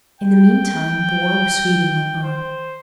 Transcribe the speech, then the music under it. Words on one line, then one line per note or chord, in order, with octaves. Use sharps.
In the mean time the war with Sweden went on.
G5
C5